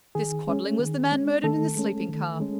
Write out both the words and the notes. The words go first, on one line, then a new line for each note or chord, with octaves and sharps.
This Quadling was the man murdered in the sleeping-car.
D#3 G#4
G#3 C#4
D#3
G#3 C#4
D#3 A3 A4
G#3 C#4
D#3
G#3 C#4